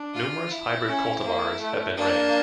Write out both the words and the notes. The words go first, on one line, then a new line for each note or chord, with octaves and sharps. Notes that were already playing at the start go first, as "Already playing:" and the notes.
Numerous hybrid cultivars have been raised.
Already playing: D4
F4
E4
C#4
A#3
A3
A#3 D4